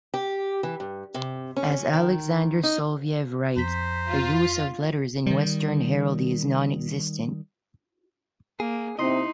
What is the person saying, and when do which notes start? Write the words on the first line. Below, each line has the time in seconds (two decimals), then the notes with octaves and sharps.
As Alexander Soloviev writes, the use of letters in western heraldry is nonexistent.
0.14 G4
0.63 E3
0.80 G2
1.14 C3
1.56 C#4
1.72 C#4
1.93 D#3
2.63 D#4
3.57 F2 C5 A#5 B6
4.08 F4
5.26 D#3 G3
8.60 A#3 G#4
8.99 C3 D#4 E4 D#5 C6 C7